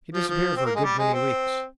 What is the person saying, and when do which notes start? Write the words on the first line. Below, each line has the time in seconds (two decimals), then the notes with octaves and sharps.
He disappeared for a good many weeks.
0.14 F3
0.28 F3
0.56 C4
0.65 A#3
0.76 G#3
0.84 G3
0.99 G#3
1.13 C4